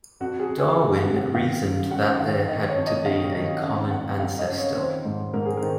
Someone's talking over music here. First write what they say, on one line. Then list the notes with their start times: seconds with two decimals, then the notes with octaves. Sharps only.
Darwin reasoned that there had to be a common ancestor.
0.20 F2 F#4
0.40 G#4
0.49 F2
0.58 G#4
0.78 D#3 G#4
0.97 F5
1.06 C3
1.16 F#5
1.34 D#3 F5
1.63 F#2
1.91 F#2 F#5
2.20 D#3 F5
2.49 D#3 D#5
2.68 C#5
2.77 F2
2.87 D#5
3.06 F2 F5
3.35 D#3
3.57 F#5
3.63 C#3 F5
3.91 F2 F#5
4.20 F2 F5
4.39 D#5
4.49 C#3
4.57 C#5
4.77 D#3 C5
5.05 G#2
5.34 G#2 A#4
5.46 G#4
5.57 A#4
5.62 D#3